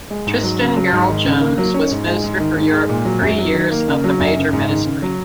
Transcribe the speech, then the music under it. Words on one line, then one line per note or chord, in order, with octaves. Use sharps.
Tristan Garel-Jones was Minister for Europe for three years of the Major ministry.
G#3
G#2
F#3
C#3
F#3
G#2
D#3
C#3
A#3
F#3
C#4
G#2
G#3
G#2
D#3
G#2
G#3
A#2
F#3
F#2
F#3
D#3
A#3
C#3
F#3
F#2
C#3
G#2
D#3
C#3
F#3